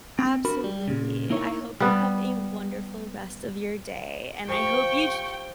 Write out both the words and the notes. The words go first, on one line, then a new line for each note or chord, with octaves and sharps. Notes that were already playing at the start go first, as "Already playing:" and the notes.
Absolutely, I hope you have a wonderful rest of your day, and I hope you sh
C4
D4 F#4 A#4 B5
G3
A#2 C#3
A#3 D#4 E4 A#4 C#5
G3 B3
F3 G4 G5 C#6